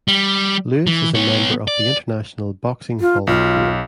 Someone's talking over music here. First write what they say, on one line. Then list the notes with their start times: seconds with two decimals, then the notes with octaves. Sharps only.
Lewis is a member of the International Boxing Hall of Fame.
0.08 G3
0.87 E3
1.15 B3 C#5
1.68 D5
3.01 F4
3.27 B1 F4